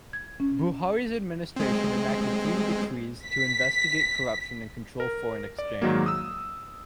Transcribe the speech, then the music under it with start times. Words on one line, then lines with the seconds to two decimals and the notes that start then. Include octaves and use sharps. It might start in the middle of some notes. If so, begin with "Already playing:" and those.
Buhari's administration enacted three decrees to investigate corruption and control foreign exchange.
0.13 G#6
0.40 C#4
1.56 G#3 C4
3.26 B6
5.00 A#4
5.59 D5
5.82 G#2 D#3 F#3 A#3
6.06 D#6 E6